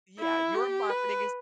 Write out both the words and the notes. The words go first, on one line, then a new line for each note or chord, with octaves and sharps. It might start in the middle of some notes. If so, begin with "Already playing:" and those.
Yeah, your marketing is,
E4
G4
B4